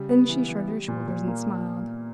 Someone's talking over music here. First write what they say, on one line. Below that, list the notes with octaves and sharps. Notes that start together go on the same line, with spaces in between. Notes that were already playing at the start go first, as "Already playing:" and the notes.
Then she shrugged her shoulders and smiled.
Already playing: C#3 G3
B3
E3
E3
G3
A#2
A#2
A#3